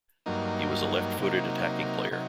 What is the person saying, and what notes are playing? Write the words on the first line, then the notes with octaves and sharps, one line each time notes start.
He was a left-footed attacking player.
G2 F#3 A#3 D#4
C3 F#3 A#3 D#4
C3 F#3 D#4